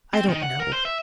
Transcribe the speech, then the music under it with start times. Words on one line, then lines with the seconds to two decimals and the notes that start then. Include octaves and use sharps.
I don't know.
0.14 C4
0.29 D#3
0.43 F#5
0.60 A#4
0.73 C5
0.85 E5